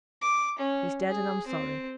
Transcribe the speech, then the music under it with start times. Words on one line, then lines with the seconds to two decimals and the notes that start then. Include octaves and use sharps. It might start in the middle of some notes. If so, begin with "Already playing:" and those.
He's dead, and I'm sorry.
0.21 D6
0.58 C#4
1.08 G#4
1.46 C4